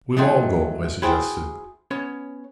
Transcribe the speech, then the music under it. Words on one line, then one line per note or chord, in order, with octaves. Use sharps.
"We'll all go," I suggested.
E2 G#2 F#3 A3 C4
E4 F#4 G#4 C5 G5 A5
B3 C#4 C#5